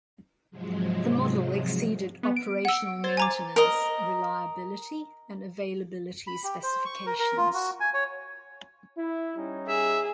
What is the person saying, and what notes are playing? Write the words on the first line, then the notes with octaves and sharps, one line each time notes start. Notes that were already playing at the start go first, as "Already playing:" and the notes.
The model exceeded operational maintenance, reliability, and availability specifications.
G#2 C3 F3 F#3 G#3
B3
D7
F#5 E6
C5 G#6 A6
G#5 A#5 D6
A#4 D#5
B5
G4
C5
C#6
A#4
A#4
F4
F#4
G#5
C#5
E4
G3 C#4 D#4
G#4 E5